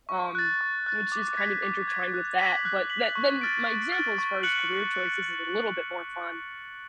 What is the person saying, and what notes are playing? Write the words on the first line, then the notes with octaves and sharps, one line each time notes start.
Um, which is kind of intertwined with that but that then my example as far as career choices is a little bit more fun.
C#6
F#6 A6
C#6
F#6 A6
D6
G#6 B6
D6
G#6 B6
F#6
B6 F#7
F#6
B6 F#7
C#6
F6 A6 D7
C#6
F6 A6 D7
C#6
F#6 C#7 F#7